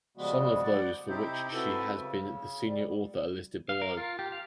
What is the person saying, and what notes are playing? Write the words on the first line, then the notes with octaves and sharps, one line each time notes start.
Some of those for which she has been the senior author are listed below.
C#3 F3 G3 G#3 B3 F#4
D5 F#5
C3 C4 D#4 E4 G4 C5
C4 E4 F#4 A4 B4
C#3
G3
F5
A#4
F4
G4
F5